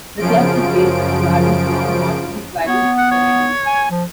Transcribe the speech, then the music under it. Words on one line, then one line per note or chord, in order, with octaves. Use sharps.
The club is based at The Gardens Ground, North East Valley, Dunedin.
F#2 C#3 F3 D7
B3 C#5
F#5
C#5
G#5
F3